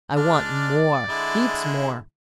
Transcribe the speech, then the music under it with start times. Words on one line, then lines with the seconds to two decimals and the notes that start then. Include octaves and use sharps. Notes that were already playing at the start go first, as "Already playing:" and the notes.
'I want more,--heaps more.
0.16 G#3 D4 D5 F6
1.09 D3 G#3 E4